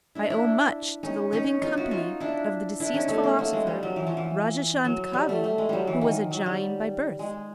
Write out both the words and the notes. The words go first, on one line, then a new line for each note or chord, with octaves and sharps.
I owe much to the living company of the deceased philosopher, Rajachand Kavi, who was a Jain by birth.
D4 E4
D4 E4
C#4 D#4
C#4 D#4
D#4 F4
E4 F#4
D#4 F4
D4 E4
D4 E4
C#4 D#4
A3 B3
A#3
A3
G#3
G3
F#3
E3
F3
E3
F#3
G3
A3
A3
G#3
F#3 G3
E3
D#3
F#3
G3
G#3